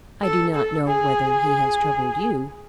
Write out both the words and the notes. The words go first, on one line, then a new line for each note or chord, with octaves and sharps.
I do not know whether he has troubled you.
A4
A4
G#4